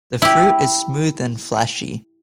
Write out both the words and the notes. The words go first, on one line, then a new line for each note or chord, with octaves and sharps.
The fruit is smooth and fleshy.
E4 G4